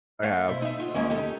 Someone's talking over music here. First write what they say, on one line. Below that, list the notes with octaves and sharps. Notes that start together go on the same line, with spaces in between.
I have, um,
A3 F5
B2 E4 C5
D#4 E5
F4 F#4
G#3 A#3 C#4
D#4 G4 A4